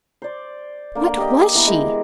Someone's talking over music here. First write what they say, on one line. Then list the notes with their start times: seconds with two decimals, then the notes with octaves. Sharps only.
What was she?
0.22 C5 D5
0.95 D3 A#3
1.17 G4 D#5
1.55 E3 B3 A#4
1.67 G#3